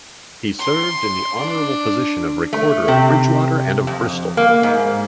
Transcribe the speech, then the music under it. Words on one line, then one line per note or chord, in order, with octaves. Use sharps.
He served in the honourable position of Recorder of Bridgwater and of Bristol.
C6
D4
A3
C3
F2
A#3
G#2